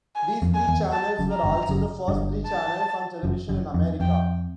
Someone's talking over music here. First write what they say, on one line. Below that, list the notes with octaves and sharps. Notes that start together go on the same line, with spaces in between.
These three channels were also the first three channels on Television in America.
G#5
F2
G#5
E2
A5
F#1 F#2
A#5
G1 G2
F#1 F#2
G1 G2
A5
F#1 F#2
F#1 F#2
F2
F2 G5